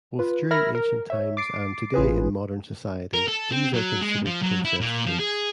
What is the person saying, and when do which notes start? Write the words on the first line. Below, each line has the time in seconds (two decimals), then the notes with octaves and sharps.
Both during ancient times and today in modern society these are considered processed foods.
0.19 F4 B4
0.51 A#4 E5 B5 F6 G#6 A#6
0.75 A#4
1.10 C#5 E5
1.37 D6 A6 C7 D7
1.94 A1 F4 G#4 B4
3.14 A#4
3.28 A4
3.52 C4
3.74 F#3
4.02 G#3
4.26 F3
4.42 F#3
4.65 E4
4.81 A#2
5.06 F3
5.20 G#4